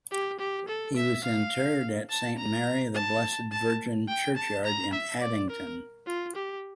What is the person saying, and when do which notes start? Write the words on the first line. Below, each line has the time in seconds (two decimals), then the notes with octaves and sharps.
He was interred at St Mary the Blessed Virgin Churchyard in Addington.
0.12 G4
0.39 G4
0.68 A4
0.96 E5
1.24 F5
2.10 A5
2.38 A#5
2.95 A5
3.52 A5
4.08 G5
4.36 A5
4.65 A#5
4.93 E5
5.21 D5
5.50 A#4
6.07 F4
6.36 G4